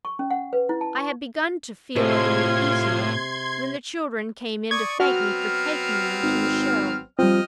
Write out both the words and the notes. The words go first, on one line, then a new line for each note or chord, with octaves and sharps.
I had begun to feel a little easier, when the children came in to thank me for taking them to the show.
C#6
C#4
F#5
B4
E4
A5
C#6
A2 C3 G#3 F4 C6 C#6 G#6
D5 C#6 D#6 G#6
F#3 B3 C4 F#4 F6
G#1
F3 G3 C4 D#5 G5 F6